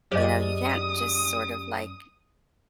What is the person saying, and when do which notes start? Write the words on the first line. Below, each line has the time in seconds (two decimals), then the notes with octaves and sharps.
you know, you can't just sort of, like,
0.12 F#2 G4 G#4 C5 D5 D#5 D#6